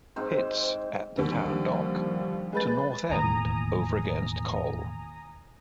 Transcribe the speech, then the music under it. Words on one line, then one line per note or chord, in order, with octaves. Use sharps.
Pitts at the Town Dock to North End over against Col.
G#2 C4 C5
D#2 D3 F3 G3
G#3 B4 A6
E1 D#2 A2 G#5 A#5 D#6